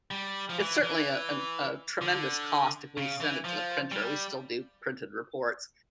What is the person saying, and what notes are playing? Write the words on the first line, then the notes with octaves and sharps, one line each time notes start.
it's certainly, uh, an, uh, tremendous cost if we send it to the printer- we still do printed reports-
G3
F3
E3
E3
D3
C#3
E3
F3
G3